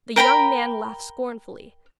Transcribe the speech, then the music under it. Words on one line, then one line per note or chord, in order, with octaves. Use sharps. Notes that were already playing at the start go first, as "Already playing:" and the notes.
The young man laughed scornfully.
A#4 G5 A#5 B5